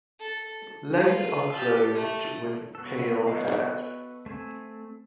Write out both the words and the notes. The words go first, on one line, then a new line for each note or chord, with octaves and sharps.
Legs are clothed with pale hairs.
A4
F4 B4
G4 A5
A3
B3 F#4 A4 B4
D#5 F5 G5
A3 C4 G#5